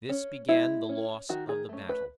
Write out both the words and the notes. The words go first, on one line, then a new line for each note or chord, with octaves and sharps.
This began the loss of the battle.
C#4
G#3 E4
C#4
D#3 F#4
G#4
A3 C#4
B4